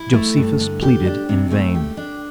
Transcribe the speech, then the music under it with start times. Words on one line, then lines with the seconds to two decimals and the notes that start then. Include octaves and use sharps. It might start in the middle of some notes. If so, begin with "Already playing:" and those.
Josephus pleaded in vain.
Already playing: E4
0.13 A3
0.36 G2
0.59 D3
0.82 G4
1.05 D4
1.29 C3
1.51 A3
1.75 G4
1.97 D4